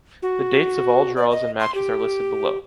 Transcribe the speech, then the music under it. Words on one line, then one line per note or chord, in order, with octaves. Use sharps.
The dates of all draws and matches are listed below.
F#4
D5
D#5
C6
G4